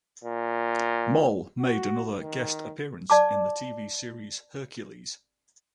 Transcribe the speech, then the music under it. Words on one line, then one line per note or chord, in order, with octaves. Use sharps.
Moll made another guest appearance in the TV series Hercules.
A#2
F#4
D#3
D5 A5 D6